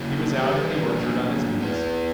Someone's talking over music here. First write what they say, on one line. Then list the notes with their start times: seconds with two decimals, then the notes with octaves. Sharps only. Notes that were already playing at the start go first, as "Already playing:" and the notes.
He was out in the orchard on his knees.
Already playing: C#3 F#3 A#3 E4
0.36 E3 G3 B3 D4 G4
0.99 F#3 A#3 D4
1.61 B3 E4 B4